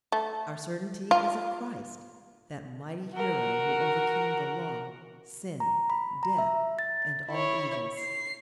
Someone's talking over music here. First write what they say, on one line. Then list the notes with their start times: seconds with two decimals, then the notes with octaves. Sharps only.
Our certainty is of Christ, that mighty Hero who overcame the Law, sin, death, and all evils.
0.12 A3
1.11 F4
3.14 F#4 A#4
5.60 A#5
5.90 B5
6.23 A#5
6.38 E5
6.79 A6
7.28 E4 C#5
7.98 C7